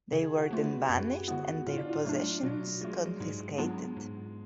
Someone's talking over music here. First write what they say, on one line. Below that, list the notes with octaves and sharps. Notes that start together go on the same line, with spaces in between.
They were then banished and their possessions confiscated.
C#3 G#4
F#4
F3 A3 F4
B4
F#4
F#2 G#4
D3 F3 G#3 B3 F#4
A2 F4
D4
F4
F#3 A3 D4
B2 F#3
G#3 A3 F4
G#2 G#3
F#3 B3 D4 F4
G#2